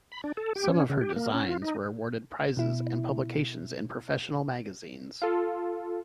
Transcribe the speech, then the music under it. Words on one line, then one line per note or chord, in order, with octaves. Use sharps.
Some of her designs were awarded prizes and publications in professional magazines.
B5
D4
A4
G4
C#4
C#3
G4
A#3
C#4
F4
D#4
B2 E4
F4 A4